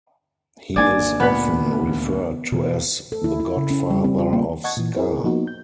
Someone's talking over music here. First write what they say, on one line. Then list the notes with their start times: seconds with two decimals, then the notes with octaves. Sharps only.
He is often referred to as the "Godfather of Ska".
0.76 G#1 A#3 D4 D5 G#5
1.20 D2 A#2 A#3 B3 B4
2.52 B2 E3
3.12 A4
3.24 E4
3.40 E4
3.57 C#3
3.71 C#4
3.90 G3
4.04 C4
4.19 F4
4.33 A#3
4.64 D#5 F#5 A5 C#6 G#6
4.77 A#2 E3
4.96 C4 E4 G#4 A#4
5.24 F3 A#3 B3 D#4 F#4
5.47 G6